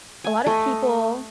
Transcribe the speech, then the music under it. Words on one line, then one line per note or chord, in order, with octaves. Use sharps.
a lot of people,
G#5
A3 D#5